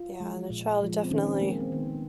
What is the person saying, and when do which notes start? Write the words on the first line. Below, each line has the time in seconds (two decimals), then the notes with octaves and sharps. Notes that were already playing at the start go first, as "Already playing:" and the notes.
Yeah, and a child, definitely
Already playing: F4
0.20 F3 G#3
0.50 A#2
0.81 F3 G#3
1.04 C4
1.11 D#3 C#4
1.26 C4
1.42 G#3 A#3
1.60 C4
1.72 D#3 B3
1.87 A#3